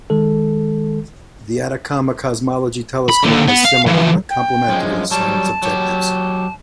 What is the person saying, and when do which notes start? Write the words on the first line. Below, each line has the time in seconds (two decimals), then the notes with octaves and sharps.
The Atacama Cosmology Telescope has similar, but complementary, science objectives.
0.10 D#3 G#3 A4
3.10 B5
3.24 D#2 D3
3.48 B3
3.65 F5
3.86 E3 F3
4.30 G5
4.68 F#2 F3 G#3
5.11 F#3 G3 A5
5.63 F#3 G4